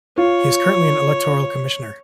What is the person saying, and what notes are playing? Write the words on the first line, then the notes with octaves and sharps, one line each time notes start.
He is currently an Electoral Commissioner.
F4 C#5